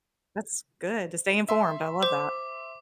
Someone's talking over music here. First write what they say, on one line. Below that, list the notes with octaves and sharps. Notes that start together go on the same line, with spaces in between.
That's good, to stay informed, I love that.
E5 C6
C5 D6